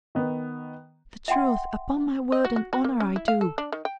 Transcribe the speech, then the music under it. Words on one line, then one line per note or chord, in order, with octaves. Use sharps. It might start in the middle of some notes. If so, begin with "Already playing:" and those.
'The truth, upon my word and honour I do.
D#3 B3
E5 F#5 G5 C6
D#5
F#4
F#4
F#4
A#3
C#4
E4
F5
A4
D4
D#3
G5